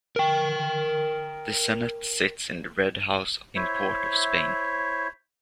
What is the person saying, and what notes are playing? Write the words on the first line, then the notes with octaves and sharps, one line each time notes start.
The Senate sits in the Red House in Port of Spain.
A#4 G5
E4 C5 C#5 E5